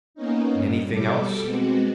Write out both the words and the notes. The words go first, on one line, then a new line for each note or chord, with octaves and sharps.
"Anything else?"
A#3 B3 C#4 D#4
G2
B2 G3 A4 D6
G#3 B3 C4 F#4